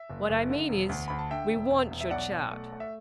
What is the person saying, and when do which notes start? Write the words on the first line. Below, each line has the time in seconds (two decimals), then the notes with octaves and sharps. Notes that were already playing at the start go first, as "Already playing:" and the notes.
What I mean is, we want your chart.
Already playing: E5
0.10 F#1
0.29 F#1
0.49 D3
0.69 E1
0.89 D2
1.08 D2 B5
1.19 A5
1.31 D3 E5 G5
1.51 E1
1.70 E1
1.91 E1
2.01 E5
2.11 B1 D5 F#5
2.31 B1
2.52 A3
2.72 A3
2.80 E5